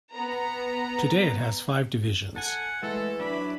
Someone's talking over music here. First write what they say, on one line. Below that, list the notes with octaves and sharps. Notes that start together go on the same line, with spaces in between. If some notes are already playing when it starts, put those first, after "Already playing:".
Today it has five divisions.
B3 A#5
A4 F#5 G#5
E3 G#3 A3 A4
F#3 D4 D5 B5